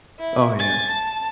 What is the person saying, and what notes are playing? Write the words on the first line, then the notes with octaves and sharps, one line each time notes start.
Oh, yeah.
E4
G#5 A6
A5